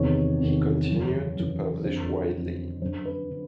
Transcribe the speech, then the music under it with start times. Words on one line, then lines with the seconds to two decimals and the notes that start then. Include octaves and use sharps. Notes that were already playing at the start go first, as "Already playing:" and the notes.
He continued to publish widely.
Already playing: E2 C3 D#3 C#5
0.40 E2 C3 D#3
0.88 F#2 C#3 E3
1.36 F#2 C#3 E3
1.84 F2 D3 C5
2.33 F2 D3
2.81 F#2 D3 C5
3.05 B4
3.30 D3